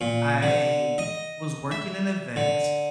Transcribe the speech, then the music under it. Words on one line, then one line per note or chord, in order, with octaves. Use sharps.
I was working an event,
A#2
D3
D#5
E5
D3